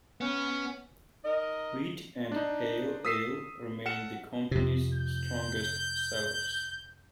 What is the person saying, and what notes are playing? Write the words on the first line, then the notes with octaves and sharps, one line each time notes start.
Wheat and Pale Ale remain the company's strongest sellers.
B3 C#4
D#4 A#4 D#5
D4 D#4
D#6 E6 B6 C7 D#7 E7
A4 F#5 F6 C#7 E7
F2 C3
G6